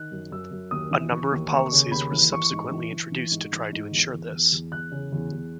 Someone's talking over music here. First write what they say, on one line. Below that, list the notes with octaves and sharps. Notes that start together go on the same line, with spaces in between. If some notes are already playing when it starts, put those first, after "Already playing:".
A number of policies were subsequently introduced to try to ensure this.
Already playing: D#3 F#6
F#2
F#2 E6
F#2
D#2 D#6
E3
E3 C#6
D#2
D#2 C#6
C#3
D#2 B5
E3
E3 C#6
G#2
E3
E3
E3
G#2
E3
G#2
E2
E2
E2
E2
E2 F#6
C#3
E2
E2